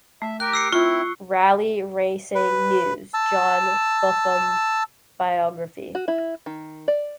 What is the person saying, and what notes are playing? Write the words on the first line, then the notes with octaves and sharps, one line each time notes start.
"Rally Racing News" John Buffum biography.
A3 E5
G4 A#4 G5 F#6
E6 C7 C#7
C4 E4 F4 C#6
B4
A5 E6
F#4
E4
D#3
D5